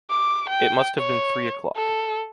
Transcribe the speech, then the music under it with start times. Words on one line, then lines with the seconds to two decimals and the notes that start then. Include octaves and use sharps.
It must have been three o’clock.
0.10 D6
0.49 G5
0.98 C#5
1.76 A4